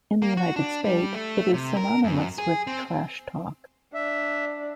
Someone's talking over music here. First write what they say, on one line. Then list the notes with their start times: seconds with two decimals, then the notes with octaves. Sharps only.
In the United States, it is synonymous with "trash talk".
0.22 A#3
0.37 F#4
0.56 D4
0.84 G3
1.14 A3
1.54 C3
1.77 A#4
2.04 F#2
2.38 G#4
2.67 C4
3.94 D4 E5